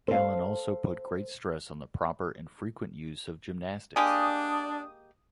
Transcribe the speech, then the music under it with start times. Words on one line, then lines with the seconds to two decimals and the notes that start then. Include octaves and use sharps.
Galen also put great stress on the proper and frequent use of gymnastics.
0.08 A4 C5 F5
3.96 G#3 A#3 D4 G4 G#5 D#6